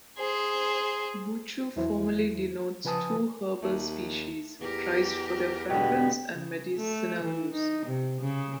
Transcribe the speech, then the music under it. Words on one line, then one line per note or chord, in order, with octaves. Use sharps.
Buchu formally denotes two herbal species, prized for their fragrance and medicinal use.
G#4 C5
E2 E3 F#3 E4 C5
C#3 F3 B4 G#5 A5 D#6
D#2 A3
E2 G4 A#4
B2 D3 G#3 B3 G4
C#3
A3
E3
D#4
C3
C#3